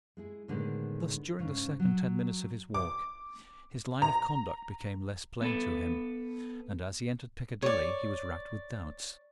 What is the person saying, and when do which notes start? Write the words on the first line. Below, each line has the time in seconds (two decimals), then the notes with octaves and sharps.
Thus during the second ten minutes of his walk, his line of conduct became less plain to him, and as he entered Piccadilly he was racked with doubts.
0.17 G#3 E4 G#4
0.48 A2 D3 D#3 G#3 B3
1.39 G#2 C#3 D4
1.80 F#3
2.74 D6
4.02 A#5
5.41 B3 A4 B4
7.62 C#5 D5